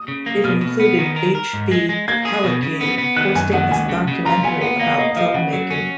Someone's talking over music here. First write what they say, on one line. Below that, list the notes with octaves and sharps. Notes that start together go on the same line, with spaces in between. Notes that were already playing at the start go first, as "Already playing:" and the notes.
It included H. B. Halicki hosting a documentary about film making.
Already playing: D#6
C#3
A#3
B2 F6
B2
B3
D#3
A#4
A#4
G#2
G#3
G#3
A#3 G#6
G#4
B2
C#3
B3
B3
D#3 F#6
F#2 G#5
D#3 F#5
C#2 G#5
C#3
C#3
F4 A#5
B3 G#5
B3 F#5
A#3 F5
A#3 D#5
D#5
F3 F5
C#3 F#5
F#3
C#4